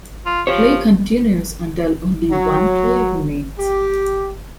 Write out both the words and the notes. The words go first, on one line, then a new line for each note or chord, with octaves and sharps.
Play continues until only one player remains.
F4
F3 G4 C5 C#5
F#3
G4